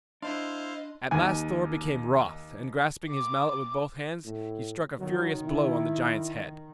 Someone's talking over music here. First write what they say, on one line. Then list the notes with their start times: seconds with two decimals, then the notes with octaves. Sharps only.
At last Thor became wroth, and grasping his mallet with both hands he struck a furious blow on the giant's head.
0.22 D4 E4 C5 D#5 F5 C6
1.11 D#2 G#5
3.10 D6
4.25 A2
4.99 D#3 F#3
5.47 E4